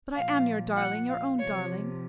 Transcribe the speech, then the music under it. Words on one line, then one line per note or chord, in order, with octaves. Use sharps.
But I am your darling, your own darling.
A#2 F3 F5
F#5
F5
C3 F3 C#5